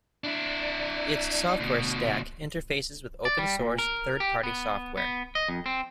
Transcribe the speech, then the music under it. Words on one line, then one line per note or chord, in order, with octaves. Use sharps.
Its software stack interfaces with open source third-party software.
D4 E4
D2 B2
D5
G3
A#2
A#4
G4
B3
B3
D#5
F2
C4